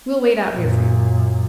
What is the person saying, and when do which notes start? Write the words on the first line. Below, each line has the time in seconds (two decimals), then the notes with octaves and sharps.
"We'll wait out here for you."
0.56 F#2 A#2